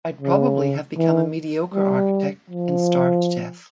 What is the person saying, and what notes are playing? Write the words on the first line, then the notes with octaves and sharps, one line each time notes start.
I'd probably have become a mediocre architect and starved to death.
C#3
E3
G3
F3